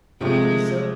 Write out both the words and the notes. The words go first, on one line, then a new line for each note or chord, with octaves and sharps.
Is there?
C3 F3 G#3 A3 C4 F4